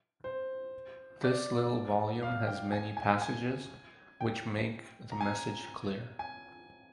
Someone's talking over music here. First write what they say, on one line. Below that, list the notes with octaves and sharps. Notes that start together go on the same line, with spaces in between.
This little volume has many passages which make the message clear.
C5
D5
F5
G5
G#5
G#5
G#5
G5
A#5
G#5
G#5